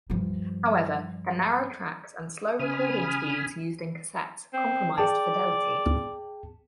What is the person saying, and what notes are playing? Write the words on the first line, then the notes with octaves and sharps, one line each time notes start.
However, the narrow tracks and slow recording speeds used in cassettes compromised fidelity.
G2 F3
C#3 G#5 B5 D#6 F6
C4
G#4 D5 G5 A5